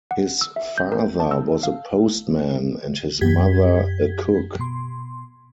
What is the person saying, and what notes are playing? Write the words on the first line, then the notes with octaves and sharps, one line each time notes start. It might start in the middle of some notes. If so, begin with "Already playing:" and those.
His father was a postman and his mother a cook.
F#5
E6
E5
G6
A#4
A5
E6
A4
F5
F#2 G4 G#6 B6
B2 C6